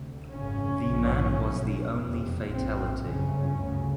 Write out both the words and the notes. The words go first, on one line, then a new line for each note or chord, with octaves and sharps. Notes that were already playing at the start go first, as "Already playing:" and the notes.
The man was the only fatality.
Already playing: D2 C3
G#1 F#2 C#3 C#4
A#1 G#2
B1 B2
F1 E2 C3
A#1 A2 C4
G1 F#2 C#3 C#4
D2 C#3